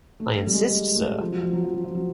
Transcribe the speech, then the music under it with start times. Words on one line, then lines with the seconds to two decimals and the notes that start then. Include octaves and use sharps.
I insist, Sir.
0.20 A3
0.36 A3
0.47 G3
0.53 G#3
0.70 G#3
0.96 A3
1.21 F3
1.32 F#3
1.43 F3
1.53 F#3
1.64 F3
1.74 F#3
1.84 F3
1.95 F#3